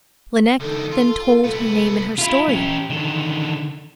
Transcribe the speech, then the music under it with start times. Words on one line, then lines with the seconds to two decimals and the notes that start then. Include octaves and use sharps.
Lineik then told her name and her story.
0.60 C#2 D#3 A4
0.92 F4
1.44 C2 B3 A4
2.19 E4 F4
2.49 C#4 G4
2.90 D3 D#3